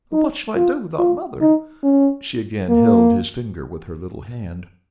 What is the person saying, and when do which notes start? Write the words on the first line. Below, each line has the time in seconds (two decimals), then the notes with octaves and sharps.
"But what shall I do without mother?" She again held his finger with her little hand.
0.13 D#4
0.56 F4
0.98 F4
1.41 D#4
1.83 C#4
2.69 A#3